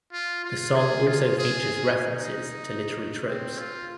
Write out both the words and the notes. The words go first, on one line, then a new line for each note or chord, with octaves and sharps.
The song also features references to literary tropes.
F4
F4
G#4
F4
G#4
D#4
C4
F4